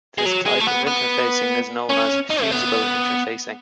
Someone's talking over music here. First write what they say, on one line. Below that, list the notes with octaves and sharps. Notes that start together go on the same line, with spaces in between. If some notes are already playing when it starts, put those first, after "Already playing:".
This type of interfacing is known as "fusible" interfacing.
G#3
F#3
G#3
A3
B3
B3
C#4
D#4
A3
B3